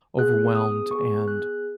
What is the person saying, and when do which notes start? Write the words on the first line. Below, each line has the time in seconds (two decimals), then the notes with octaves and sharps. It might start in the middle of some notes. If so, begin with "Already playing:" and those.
overwhelmed and
0.18 B3 G#4 F#6
0.55 D#6
0.91 B3 G#4 C#6
1.28 F#6